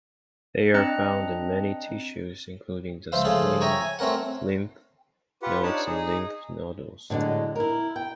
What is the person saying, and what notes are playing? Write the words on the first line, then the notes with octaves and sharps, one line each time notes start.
They are found in many tissues including the spleen, lymph nodes and lymph nodules.
C4 D4 D#5 A#5 F#6 C#7
C#2 F3 C5 E5 F5
A2 C#3 F3 F4 G#4 A4
C#5 E5 G5 G#5 A#5 C#6
G#5
A3 C4 C#4 A#4 F#5
F4 G4 B4 F#5
D4 D#4 C#5 D5 A5
D#4 G#4
A2 D3 F#3 G#3
E4 A#4
G5